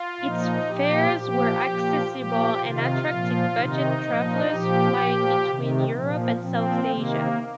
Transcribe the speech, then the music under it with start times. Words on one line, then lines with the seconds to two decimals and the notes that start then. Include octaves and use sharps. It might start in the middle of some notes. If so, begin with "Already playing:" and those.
Its fares were accessible and attracted budget travellers flying between Europe and South Asia.
Already playing: F4
0.21 A#2 F3 D#4
0.69 A#2 F3 G4
1.16 A#2 F3 G4
1.64 A#2 F3
2.12 A#2 F3 G4
2.60 C3 D#3 F4
3.07 A#2 F3
3.55 C3 D#3 D#4
4.03 A#2 F3
4.50 A#2 F3 G4
4.98 A#2 F3
5.46 C3 D#3
5.93 A#2 F3
6.41 A#2 F3 C4
6.89 C3 D#3 A#3